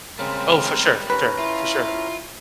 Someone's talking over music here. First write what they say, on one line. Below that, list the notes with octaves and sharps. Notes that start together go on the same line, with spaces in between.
Oh, for sure, for sure, for sure.
C#3 G3 G#3 C4 A#4
D#2 C#4 B4 A#5
E4 F4